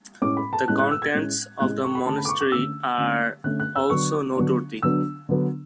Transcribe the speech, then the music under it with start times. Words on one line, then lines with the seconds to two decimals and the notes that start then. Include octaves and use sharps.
The contents of the monastery are also noteworthy.
0.22 A2 G#3 C#4 D6
0.37 B5
0.53 A5
0.68 A2 G#3 C#4 F#6
0.79 F#6
0.91 E6
1.02 G#6
1.14 A2 G#3 C#4
1.60 A2 G#3 C#4 F#6
1.83 C#6
1.95 B5
2.06 D3 A3 C#4 A5
2.18 B5
2.25 D6
2.29 C#6
2.40 D6
2.52 D3 A3 C#4 E6
2.98 D3 A3 C#4
3.44 D3 A3 C#4 F#6
3.60 F#6
3.76 E6
3.90 D3 F#3 B3 D4 C#6
4.37 D3 F#3 B3 D4
4.82 D3 F#3 B3 D4 E6
5.29 D3 F#3 B3 D4